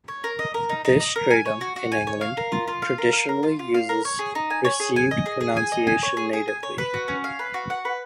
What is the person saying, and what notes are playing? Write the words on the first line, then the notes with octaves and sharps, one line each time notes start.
This stratum, in England, traditionally uses received pronunciation natively.
C#5
A#4
D#5
A#4
D#4
D#4
D#5
A#4
G#5
C#5
F#4
F#4
G#5
C#5
F5
A#4
F4
F4
F5
A#4
F5
A#4
F4
F4
F5
A#4
C#5
G#4
D#4
G#5
C#5
G#4
G#5
D#5
G#4
G#4
G#5
D#5
G#5
C#5
G#4
G#4
G#5
C#5
B4
F#4
C#4
F5
B4
F#4
F#5
B4